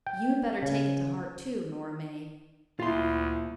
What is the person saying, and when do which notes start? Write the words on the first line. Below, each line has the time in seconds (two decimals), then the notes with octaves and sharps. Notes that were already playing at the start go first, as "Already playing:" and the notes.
You'd better take it to heart too, Nora May.
0.07 G5
0.63 C#3
2.80 D2 A#2 G3 E4 F4 F5 C6